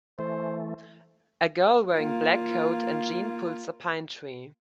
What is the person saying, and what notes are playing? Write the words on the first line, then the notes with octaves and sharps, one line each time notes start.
A girl wearing black coat and jean pulls a pine tree.
E3 A3 C5
A#3 F4